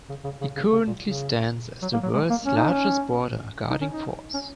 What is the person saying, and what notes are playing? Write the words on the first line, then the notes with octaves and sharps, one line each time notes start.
It currently stands as the world's largest border guarding force.
C#3
C#3
C#3
C#3
C#3
A#2
C#3
F#3
A#3
F#3
G#3
A#3
C#4
D#4
C#4
D#4
C#4
D#4
C#4